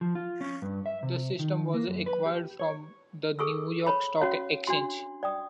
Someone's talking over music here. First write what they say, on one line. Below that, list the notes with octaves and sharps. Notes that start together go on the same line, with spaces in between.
The system was acquired from the New York Stock Exchange.
F3
F4
C#4
G2
E5
C3
D#3
A#3
F#2
B4
G4
C#5
G#4 A4 C#6 E6
C#5 B5
C#4 F#4 C#5 F5
D4 F#4 C6
D5 G5 D#6